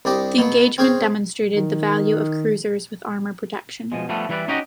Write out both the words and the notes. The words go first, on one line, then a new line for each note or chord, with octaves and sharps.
The engagement demonstrated the value of cruisers with armor protection.
C2 D4 G4 D#5
B2 F#3 B3
C4 C#4 G#4 C5
D#3
B2 F3 G#3
F3 G3 A3 B3
E3 G3 E4 B4 C#5 D5
C#4 D#4 F#4 G4 C5 D#5